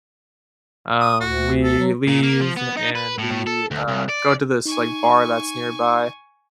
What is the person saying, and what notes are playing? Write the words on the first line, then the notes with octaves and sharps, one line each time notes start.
um, we leave and we, uh, go to this, like, bar that's nearby.
D#6
D2 F#4
A4
F#3
A#2
A#3
F3
B3
D#4
B4
A2
A2
A4
D2
C2
D5
D#4 G#5 C#6